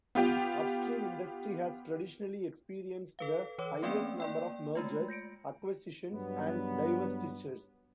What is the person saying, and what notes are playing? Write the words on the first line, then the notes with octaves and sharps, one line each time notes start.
Upstream Industry has traditionally experienced the highest number of Mergers, Acquisitions and Divestitures.
B3 F4 G4
A4 B4 F5
E3 B4 C#5 D6
A3 A#3 C4 C#4 D5 G5
A#3 D5 G5
G#3 A3 F4
G6 A#6 C#7 D7
G2 F#3 B3